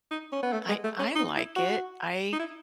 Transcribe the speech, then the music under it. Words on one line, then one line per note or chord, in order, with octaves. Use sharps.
I I I like it. I
D#4
C#4
B3
A3
G#3
A3
C#4
D#4
E4
F#4
D#4
E4